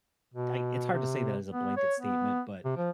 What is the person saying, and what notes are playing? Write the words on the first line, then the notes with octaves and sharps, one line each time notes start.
I, it's hard to say that as a blanket statement, but
B2
C3
B3
C#5
B3
C3
F3